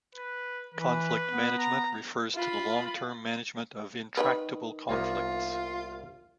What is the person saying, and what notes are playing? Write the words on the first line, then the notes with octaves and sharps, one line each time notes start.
Conflict management refers to the long-term management of intractable conflicts.
B4
E3 B4
B3
A#5
F4 B5
D#3 F#3 B4
C2 A#3 B3 F4